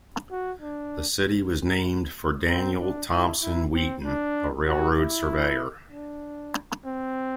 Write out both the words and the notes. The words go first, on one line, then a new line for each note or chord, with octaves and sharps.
The city was named for Daniel Thompson Wheaton, a railroad surveyor.
F#4
D4
C4
D4
E4
E4
C4
D4
F#4
E4
D4
C4